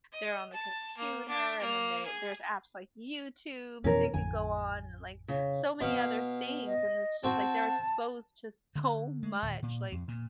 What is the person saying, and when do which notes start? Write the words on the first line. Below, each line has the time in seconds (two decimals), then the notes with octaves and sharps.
they're on the computer and then they there's apps like YouTube that they could go on and, like, so many other things, and it's just, like, they're exposed to so much, like,
0.13 D#5
0.52 A5
0.97 A#3
1.29 D4
1.61 A#3
2.06 G#4
3.84 F2 B2 E3 C#4 A#4
4.14 A1 F2 D3 G#5
5.28 C#3
5.81 B2 F5
6.67 D#5
7.24 C4 F#4 A5
8.76 D3
9.23 G#3
9.42 D1
9.63 A#2
9.92 F2
10.08 A#2